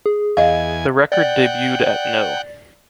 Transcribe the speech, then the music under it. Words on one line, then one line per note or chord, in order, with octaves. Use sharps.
The record debuted at no.
G#4
E2 D#5 F5 G#5
D5 F#5 G5